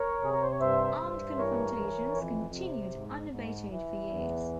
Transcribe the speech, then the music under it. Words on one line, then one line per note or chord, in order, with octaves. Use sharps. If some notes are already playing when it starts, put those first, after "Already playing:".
Armed confrontations continued unabated for years.
Already playing: A#4 C#5
C3 G#4
A#4
C5
C#5
G2 C5 E5
G2
E3 A#4 C#5
E3
F2
C3
G#2
G#2
E3
E2